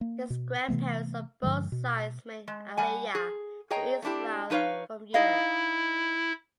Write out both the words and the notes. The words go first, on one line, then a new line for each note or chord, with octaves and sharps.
His grandparents on both sides made Aliyah to Israel from Europe.
A#3
B2
C3 E3 A3 B3
G2 D3 F3 G#3
B2
G#3
G3 F#5 G#5
G#4
G#4 C#5 D#5 G5 A#5
A3 C4 D4 E4 G4
F3 D#4 B4 C#5 F5
D#4 E4 D#5 F5